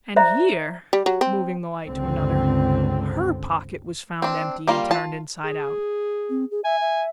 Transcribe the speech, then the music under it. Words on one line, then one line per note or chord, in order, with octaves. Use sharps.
And here,' moving the light to another, 'HER pocket was found empty, and turned inside out.
C5 D5 E5 A#5
G3
F#3
C4
C#2 G2 D3 C4
C4 D4
G3 A#3 F4
F4 A5
G#4
C4
G#4
E5 G#5
E5